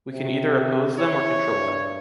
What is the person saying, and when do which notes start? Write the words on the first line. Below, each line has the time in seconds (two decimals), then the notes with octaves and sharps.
We can either oppose them or control them.
0.12 C3
0.99 E4 C#5
1.51 G2